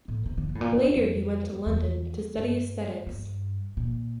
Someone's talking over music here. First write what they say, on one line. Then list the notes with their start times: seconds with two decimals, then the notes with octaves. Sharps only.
Later he went to London to study aesthetics.
0.08 A2
0.26 C3
0.38 D3
0.49 D3
0.55 A2
0.61 A#2
0.72 F2
0.84 E2
0.96 F2
1.66 E2
2.36 G2
3.07 G2
3.77 A#2